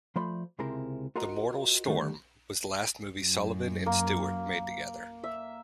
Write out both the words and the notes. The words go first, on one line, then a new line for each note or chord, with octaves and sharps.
"The Mortal Storm" was the last movie Sullavan and Stewart made together.
F3 A3 C5 D5 B5 C6
C#2 C3 G#3 C4 E4 A#4
F4 F#4 A#4 C5 D#5 A#5
D3 D#3 G3 A3
F#2
A#3
E5